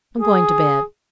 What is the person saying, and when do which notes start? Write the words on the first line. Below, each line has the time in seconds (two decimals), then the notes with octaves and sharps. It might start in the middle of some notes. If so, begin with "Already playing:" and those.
I'm going to bed.'
0.20 G#4